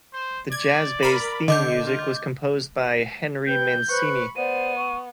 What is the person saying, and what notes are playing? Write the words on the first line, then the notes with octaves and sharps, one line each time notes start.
The jazz-based theme music was composed by Henry Mancini.
C5
D5 G#6
A#4 B5
D3 D#5 D6 G6
F4
B4 G5 G6
B4 C5 B5 C#6 F#6
B3 C5 D5 D#7
C#6